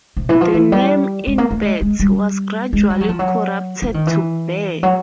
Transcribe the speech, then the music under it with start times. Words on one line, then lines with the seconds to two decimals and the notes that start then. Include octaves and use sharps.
The name "Imbert" was gradually corrupted to "Bear".
0.17 C3
0.29 E3
0.41 F3
0.54 E3
0.72 G3
1.27 G#3
1.38 A#3
1.51 A3
1.62 G#3
1.82 G#3
2.00 G3
2.73 G#3
2.90 G3
3.01 F#3
3.09 F3
3.19 F#3
3.82 F3
3.94 D#3
4.07 E3
4.83 F#3